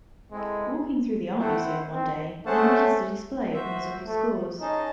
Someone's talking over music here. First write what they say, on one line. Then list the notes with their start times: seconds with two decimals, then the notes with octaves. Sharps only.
Walking through the art museum one day, he noticed a display of musical scores.
0.31 G#3 C4 E4 A4
1.38 A3 C4 E4 C5 F#5
1.93 C4
2.46 A3 C#4 G#4 C5 F#5 A5
3.53 F#4 C5 E5
4.07 A3
4.60 C#4 D#4 G#4 D#5 A5